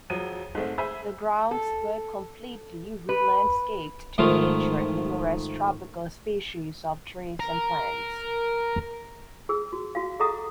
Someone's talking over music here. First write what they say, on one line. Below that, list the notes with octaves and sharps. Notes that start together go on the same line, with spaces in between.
The grounds were completely re-landscaped to feature numerous tropical species of trees and plants.
E1 F3 F#3 D#7
G#2 G#3 A3 C4
G#4 C5 E5 G#5 B5 E6
A4
B4
G#2 D#3 F3 A3 D#4 F4
A#4
G#4 E6
F#4
F#4 F5
G#4 A4 D#5 F#5 A#5 D#6